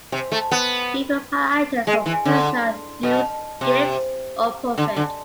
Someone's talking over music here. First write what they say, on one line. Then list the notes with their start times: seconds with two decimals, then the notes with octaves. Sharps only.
People buy items for personal use, gifts, or profit.
0.12 C3
0.32 A3
0.51 B3
1.87 G#3
2.06 E3
2.25 D3
3.03 B2
3.61 C3
4.78 D3
4.97 D3